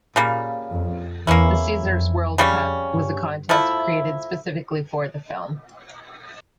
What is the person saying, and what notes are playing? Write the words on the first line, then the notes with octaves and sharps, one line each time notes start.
The Caesars World Cup was a contest created specifically for the film.
A#2 C#3 G3 A#3
F2
E2 A#3 C#4 E4
F2
F2 C#3 G3 C#4
G2
F3 A3 E4